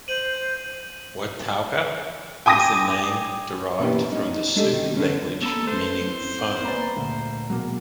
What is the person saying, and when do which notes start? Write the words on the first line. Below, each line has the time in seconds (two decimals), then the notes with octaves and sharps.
Watauga is a name derived from the Sioux language meaning "foam".
0.08 C5 D#7 F#7
2.46 G5 G#5 D6 D#6 A#6 D#7
3.79 B2 E3 A#3 C#4 D4 G4
4.12 C#4 D#4
4.34 D#4
4.56 G#3 A3 D4 D#4 G4 A4
4.73 D#3
4.96 D3 C#4
5.42 A#3 A4 B5
5.67 A3 A4 B4 C5
6.06 C4 E4
6.64 A#3 B4 D5 G#5 A#5 B5
6.96 D2 A#2
7.50 E1 F#3 A#3